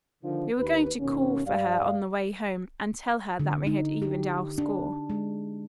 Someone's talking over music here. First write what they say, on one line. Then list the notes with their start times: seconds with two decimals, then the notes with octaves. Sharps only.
We were going to call for her on the way home, and tell her that we had evened our score.
0.23 D3 D#3 F3
0.58 D#2 B4
0.99 D#2 B2 A#3 B3 C#4
1.46 G2 G3 D5 F5
3.39 D3
3.67 D#4
4.02 G4
4.58 D4
5.10 G#3